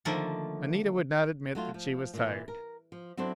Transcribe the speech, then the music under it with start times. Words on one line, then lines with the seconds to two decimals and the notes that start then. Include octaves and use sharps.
Anita would not admit that she was tired.
0.05 D3 D#3 F3 A3 A#3
1.55 F#3 A3 F4
1.74 F3
2.14 A#2 E3
2.48 A#4
2.92 F3
3.17 F#3 C4 D4 E4 A4 C5